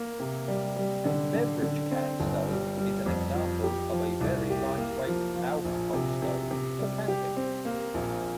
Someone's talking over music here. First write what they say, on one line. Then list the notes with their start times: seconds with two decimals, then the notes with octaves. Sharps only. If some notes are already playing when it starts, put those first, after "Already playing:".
A beverage-can stove is an example of a very lightweight alcohol stove for camping.
Already playing: A#3
0.20 C3
0.48 G3
0.76 G3
1.05 D3
1.34 D3
1.63 D3
1.91 C4
2.20 G1
2.49 G3
2.77 G3
3.06 F2
3.35 F3
3.64 G4
3.92 F3
4.21 C2
4.50 G4
4.78 A#3
5.07 F3
5.36 F3
5.65 A#1
5.93 C3
6.22 C3
6.51 C3
6.79 G3
7.08 G4
7.37 C4
7.65 A#3
7.94 A#1